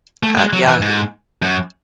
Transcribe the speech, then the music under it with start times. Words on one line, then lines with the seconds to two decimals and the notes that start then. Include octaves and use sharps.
At Yahoo!
0.23 A3
0.38 G#3
0.53 F#3
0.68 E3
0.82 G#2
1.42 F#2